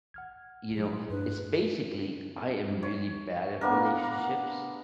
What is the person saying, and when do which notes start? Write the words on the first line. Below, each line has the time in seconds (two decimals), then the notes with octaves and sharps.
you know, it's basically, I am really bad at relationships,
0.14 F#5 F6 G#6
0.74 A#2 F#3 G#4
0.93 C6
1.10 G2 D4 B4
2.83 C#5
3.61 A#3 B3 D4 A#4